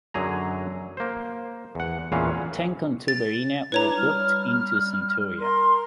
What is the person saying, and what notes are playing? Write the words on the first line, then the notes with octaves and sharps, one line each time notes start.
Ten contubernia were grouped into a centuria.
F#2 D3 F#3 G#4 A#5
A#3 C5
E2 F#5
E2 A#2 E3 C#4 F5
A6
D4 E4 B4 C#5 A#5
G3 F6
A#4 C6